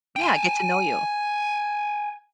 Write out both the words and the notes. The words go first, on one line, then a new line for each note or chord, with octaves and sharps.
yeah get to know you.
G5 G#5